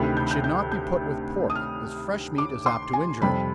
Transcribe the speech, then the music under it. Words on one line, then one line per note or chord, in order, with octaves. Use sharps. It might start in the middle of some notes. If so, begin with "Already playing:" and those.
It should not be put with pork, as fresh meat is apt to injure it.
Already playing: D2 C3 D#3 B5
G6
G6
G6
G6
D#6
F6
D6
C6
G#5
F2 C3 G3 B5